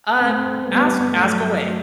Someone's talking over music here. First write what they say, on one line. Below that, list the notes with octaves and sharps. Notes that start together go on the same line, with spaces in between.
uh, ask ask away.
G1 G2 A3 C4
G3 B3
F#3 A3